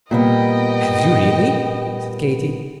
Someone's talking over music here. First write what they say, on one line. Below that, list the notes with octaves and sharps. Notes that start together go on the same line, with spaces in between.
"Have you, really?" said Katy.
A#2 G3 B3 D#5 G5